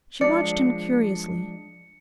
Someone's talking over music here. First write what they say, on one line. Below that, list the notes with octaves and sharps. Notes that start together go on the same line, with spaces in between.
She watched him curiously.
F3 G#3 D4 D5 C#7